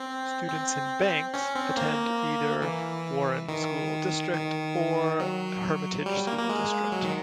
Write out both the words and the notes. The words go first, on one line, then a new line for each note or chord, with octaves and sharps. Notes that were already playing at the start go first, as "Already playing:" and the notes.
Students in Banks attend either Warren School District or Hermitage School District.
Already playing: C4
C4
C#4
C4
A#3
E3
D#3
D#3
F#3
G3
A#3
A#3
G#3
F#3
D#3